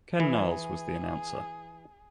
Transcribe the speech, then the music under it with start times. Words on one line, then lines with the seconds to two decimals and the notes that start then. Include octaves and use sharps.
Ken Niles was the announcer.
0.20 E3 G#4